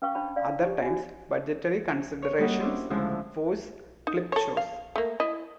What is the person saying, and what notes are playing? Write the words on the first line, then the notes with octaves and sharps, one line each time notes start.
Other times budgetary considerations force clip shows.
C#4 B4 F5 G5 C#6
D4 C5 G5 A5 B5
D5 F5
D#4 G4
F#4 G#5
C#5
G3 A#3 C#4 D#4 F#4
C#4 D4 E4 C5
D2 C#3 F3 G#3 E4 C5
D#4
A4 C#5
F5
A3 A#3
E4 D#5